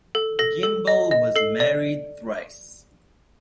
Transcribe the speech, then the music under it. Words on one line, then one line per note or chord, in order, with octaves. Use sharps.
Gimbel was married thrice.
A4
A4 A#6
A4
D#5
D#5
A4 C7
D5